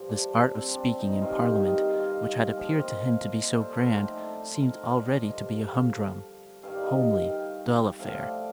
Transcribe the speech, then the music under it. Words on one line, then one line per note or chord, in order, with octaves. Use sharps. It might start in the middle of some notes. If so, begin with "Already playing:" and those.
This art of speaking in Parliament, which had appeared to him to be so grand, seemed already to be a humdrum, homely, dull affair.
Already playing: G2 F3
D4
C4
D4
D#4
G2 D#3 F4
G4
D#5
F5
D#5
F5
D#5
A#2 F3 G5
D#5
F5
D#5
C5 D5
A4
A#4
A2 F3 D#4
D4
D#4
C5
A#4
D5
C5
D#5
G2 D3 F3 D5
F5
G2 D#3 F5
D5
D#5
G5
F5
G5
A2 F3 F5
D5